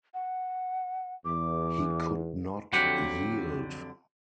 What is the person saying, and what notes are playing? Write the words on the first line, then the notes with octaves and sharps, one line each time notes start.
He could not yield.
F#5
E2 D6
F2 D3 F#3 G4 F#5